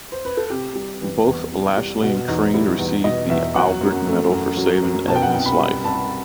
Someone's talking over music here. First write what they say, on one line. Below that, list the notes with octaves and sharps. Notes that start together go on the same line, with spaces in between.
Both Lashly and Crean received the Albert Medal for saving Evans' life.
C5
B4
A4
C3 G4
G3
E3
E2
C3
G3
B2 F#4
E2 D#4
G3 E4
E2
B2 D#5
E2 E5
F#3 F#5
F#2
A3
F#2
F#3
F#2
B2 A5
G5
F#5
C2 G5
B5
G3
C2 A5